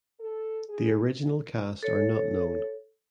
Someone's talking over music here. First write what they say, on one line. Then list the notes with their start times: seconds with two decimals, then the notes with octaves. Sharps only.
The original cast are not known.
0.20 A4
0.68 G#4
1.83 A4 C#5